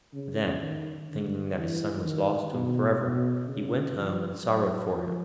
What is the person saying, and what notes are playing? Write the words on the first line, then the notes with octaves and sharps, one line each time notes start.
Then, thinking that his son was lost to him for ever, he went home and sorrowed for him.
C#3
D#3
D3
E3
D#3
B2
B2
C#3
F3
F#3
F3